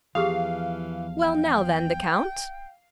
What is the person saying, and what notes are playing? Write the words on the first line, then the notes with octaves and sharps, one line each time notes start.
"Well, now then, the count?"
E2 E3 F3 G4 G#4 F5 D#6
G5